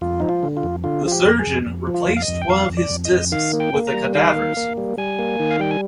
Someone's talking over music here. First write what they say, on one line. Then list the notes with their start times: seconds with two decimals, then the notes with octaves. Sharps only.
The surgeon replaced one of his discs with a cadaver's.
0.01 F2 F4
0.20 F3 D#4
0.29 F4
0.43 D3
0.57 F4
0.63 F2
0.84 D3 F4
1.05 F3 F4
1.12 G4
1.25 F2
1.39 G#4
1.47 F2
1.66 F2
1.87 F3
1.94 F4
2.08 F2
2.17 F5
2.22 D#5
2.28 F2
2.42 G5
2.49 F2 F5
2.70 F2
2.77 D5
2.91 F2
3.05 D#5
3.12 F2
3.32 D#3 F5
3.53 A#3
3.60 G5
3.74 A#3
3.87 A#5
3.94 G3
4.15 D#3 F5
4.36 A#3
4.57 A#3
4.77 G3
4.98 G3 G#5
5.19 A#3
5.40 D#3
5.51 F5
5.60 G3 G5
5.71 G#5